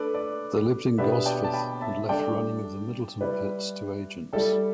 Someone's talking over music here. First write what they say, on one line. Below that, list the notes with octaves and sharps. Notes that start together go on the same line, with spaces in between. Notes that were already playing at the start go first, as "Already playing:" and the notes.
They lived in Gosforth and left running of the Middleton pits to agents.
Already playing: A3 D4 A4 B4 D5
A4 D5
B2 B3 D4 G4 B4 E5
D5 G5
A5
G5 B5
E5 A5
G3 D4 A4 D5 G5
G3 E4 B4
G3 E4 A4 D5 G5